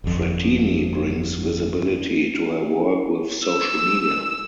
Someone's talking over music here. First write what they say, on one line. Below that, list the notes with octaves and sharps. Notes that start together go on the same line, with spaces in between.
Fratini brings visibility to her work with social media.
G1 F2
E6